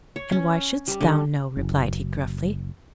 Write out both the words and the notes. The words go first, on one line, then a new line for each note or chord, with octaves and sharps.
"And why shouldst thou know?" replied he, gruffly.
C#5
C#4
G3
D3
F#1